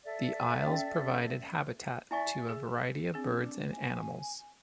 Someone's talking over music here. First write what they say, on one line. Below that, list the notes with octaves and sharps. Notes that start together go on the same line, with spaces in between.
The isles provided habitat to a variety of birds and animals.
A4 D5 E5
C#4
E4 D5 E5 G#5 C#6
G#4
C4 D4 G#4
G#5